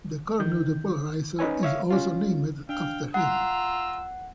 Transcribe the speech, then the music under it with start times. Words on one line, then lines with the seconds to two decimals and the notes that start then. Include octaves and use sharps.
The Cornu depolarizer is also named after him.
0.40 D#3 G6
1.39 C#4 D#4 B4 C#5 G#5
1.63 C#5 E5 F5
1.91 C#4 F4
2.69 D4 F5 G5
3.14 F4 F#5 A#5 E6